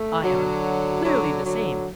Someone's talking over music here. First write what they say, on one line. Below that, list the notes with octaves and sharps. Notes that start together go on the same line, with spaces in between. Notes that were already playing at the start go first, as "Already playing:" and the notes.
ION: Clearly the same.
Already playing: A3
D3 F#3
D3 F#3
D3 F#3